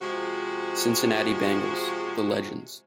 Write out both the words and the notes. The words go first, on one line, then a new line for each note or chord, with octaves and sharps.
"Cincinnati Bengals, The Legends".
C3 F3 G#3 F#4